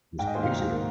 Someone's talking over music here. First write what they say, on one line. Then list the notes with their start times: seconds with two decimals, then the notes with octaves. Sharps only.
it was crazy.
0.19 G#2 G5
0.27 D#5
0.35 D#3 A#3 C5
0.43 F5
0.51 G#2
0.68 D#3 A#3